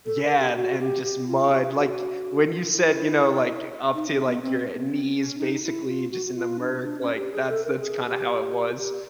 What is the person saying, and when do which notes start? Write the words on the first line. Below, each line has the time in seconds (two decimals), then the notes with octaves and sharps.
Yeah, and and just mud, like, when you said, you know, like, up to, like, your, uh, knees, basically, just in the murk, like, that's that's kinda how it was.
0.06 A4
0.23 A#4
0.38 G4
0.54 F#4
0.79 G4
1.03 G4
1.27 F4
1.51 G4
1.75 F#4
2.49 F4
2.73 E4
3.94 D#4
4.09 C#4
4.26 B3
4.42 C4
4.73 B3
4.90 C4
5.14 C#4
5.38 D#4
5.63 E4
5.87 F4
6.11 F#4
6.26 F#4
6.36 F4
6.60 D4
6.83 D4
7.01 C#4
7.15 G4
7.32 G#4
7.43 G#4
7.49 A4
7.64 A#4
7.80 G#4
8.05 G4
8.78 G4